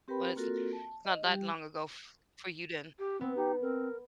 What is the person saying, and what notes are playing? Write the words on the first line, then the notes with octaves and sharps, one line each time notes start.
Well, it's it's not that long ago f for you then.
C4 G4 A#4 B4 G5 B5
A#3 C4 F4 F#4 A4 A#4
A5
D#5
G3 G4
G4
B3 C4
D#4 G4
C4 A#4